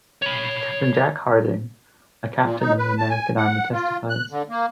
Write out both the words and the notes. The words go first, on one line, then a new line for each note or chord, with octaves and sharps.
Captain Jack Harding, a captain in the American army testifies.
C#5 B5
A#2
D#4
B4
A5
G#5
F#5
F4
F#6
D3
A#3